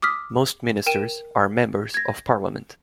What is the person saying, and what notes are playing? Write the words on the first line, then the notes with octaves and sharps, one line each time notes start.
Most ministers are members of Parliament.
D6 D#6 F6 B6
A#4 G5 D#7 E7
G#6 A#6